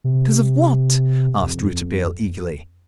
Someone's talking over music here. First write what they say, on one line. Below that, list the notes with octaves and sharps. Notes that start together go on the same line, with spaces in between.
"Because of what?" asked Rouletabille eagerly.
C3
F2